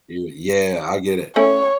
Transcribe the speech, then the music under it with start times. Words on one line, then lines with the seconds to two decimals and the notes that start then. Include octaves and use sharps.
You yeah, I get it.
1.36 A3 C#4 E4 C#5